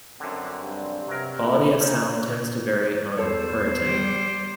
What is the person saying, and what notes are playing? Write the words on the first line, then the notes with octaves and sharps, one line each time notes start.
Quality of sound tends to vary on Puritan.
F#2 D3 C4
G2
C3 F#3 A#4
A3 E4
A#2 A#3 C#4 D#4
E2 A4 C5 C#5
G3